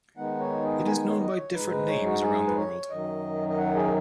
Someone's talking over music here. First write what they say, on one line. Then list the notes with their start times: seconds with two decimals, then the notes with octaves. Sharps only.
It is known by different names around the world.
0.17 D#3 G#3 B3 D#4 F#5
0.40 C#5
0.62 G#4
0.85 G#5
1.08 C#5
1.19 D#5
1.36 C#5
1.53 G#2 G#3 D#4 B4
1.71 B4
1.87 C#5
2.05 F#4
2.22 G#4
2.47 B4
2.56 C#5
2.90 F#2 D#3 F#3 D#5
3.49 D#5
3.58 F#5
3.75 G#4